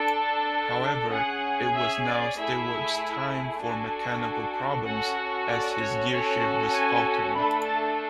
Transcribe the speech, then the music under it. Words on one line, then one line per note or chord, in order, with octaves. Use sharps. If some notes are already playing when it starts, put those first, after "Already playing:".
However, it was now Stewart's time for mechanical problems as his gearshift was faltering.
Already playing: D4 A4 A5
C#4 G#4 F#5
E5
D5
A3 E4 G#4 E5
D4 F#4 A4 G#5
C#4 F#4 A4 F#5
D5
C#5
C#4 F#4 A4 C#5
G#5
A3 D4 A4 B5
A5